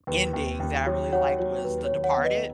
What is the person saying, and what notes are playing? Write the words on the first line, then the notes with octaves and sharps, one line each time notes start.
ending that I really like was The Departed.
D#2 B4
D#2
D#2
F#3 C#5
F#3 C#5 F#5
F#3 C#5
D#2 B4
C#5
D#2
C#5 F#5
B3
B4 D#5